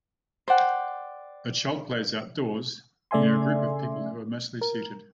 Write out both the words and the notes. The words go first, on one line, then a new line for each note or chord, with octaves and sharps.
A child plays outdoors, near a group of people who are mostly seated.
C5 D5 F#5 G5
C#3 A3 D5 E5 G#5 C6
A#4